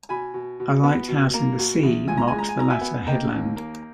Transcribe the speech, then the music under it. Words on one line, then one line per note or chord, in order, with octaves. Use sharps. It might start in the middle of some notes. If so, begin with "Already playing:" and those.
A lighthouse in the sea marks the latter headland.
B2 G#5 B5
B2
B2
B3
B2
A#3
B2
E2
C#2 G#5
A#5
G#3 G#5
A#5
G#5
B2 A#5
E5 G#5
B3
A#3 D#5 G5
D#2
A#3